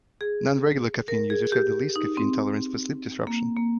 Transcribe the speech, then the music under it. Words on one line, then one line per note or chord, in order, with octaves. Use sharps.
Non-regular caffeine users have the least caffeine tolerance for sleep disruption.
G#4
A#4
G#4
G4
D#4
C4
A#3
A#3